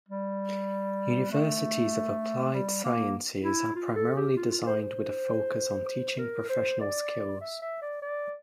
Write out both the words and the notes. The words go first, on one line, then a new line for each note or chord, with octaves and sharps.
Universities of Applied Sciences are primarily designed with a focus on teaching professional skills.
G3
A3
G3
A#3
E4
F4
A4
G4
F4
F4
C5
C5
A#4
C5
D5
E5
E5
D5
D5